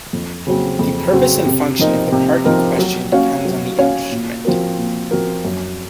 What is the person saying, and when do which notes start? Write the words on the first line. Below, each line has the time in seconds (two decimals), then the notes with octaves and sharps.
The purpose and function of the part in question depends on the instrument.
0.13 F2
0.47 C#3 F#3 C4 F#4
0.79 F2
1.13 C#3 F#3 C4 F#4
1.46 C3
1.79 F3 C4 D#4 A#4
2.12 C3
2.45 F3 C4 D#4 A#4
2.79 F#3
3.12 C#4 F#4 C#5 F5
3.45 F#3
3.79 C#4 F#4 C#5 F5
4.11 A#2
4.45 F3 C4 F#4 A#4
4.78 A#2
5.11 F3 C4 F#4 A#4
5.45 F#2